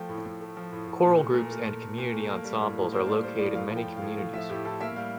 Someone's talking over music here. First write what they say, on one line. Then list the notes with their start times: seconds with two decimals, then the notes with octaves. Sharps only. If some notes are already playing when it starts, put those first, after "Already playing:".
Choral groups and community ensembles are located in many communities.
Already playing: F3 A3 G5
0.09 A2
0.25 A2
0.41 A3
0.57 F3
0.72 A2
0.87 A2
1.03 A#2
1.18 A3
1.34 A#2
1.45 A#4
1.51 A3
1.66 A#2
1.82 A3
1.98 A#2
2.13 A3
2.30 A#3
2.44 G3
2.60 A2
2.76 A2
2.92 A#3 C5
3.07 G3 D5
3.23 A2 C5
3.39 A2 D5
3.55 A3 F5
3.71 F3
3.76 G5
3.87 A2
3.97 F5
4.02 A2
4.17 A3 F5
4.33 F3 E5
4.49 A2 G4
4.65 A2 A4
4.80 A#3 E5
4.96 G3 F5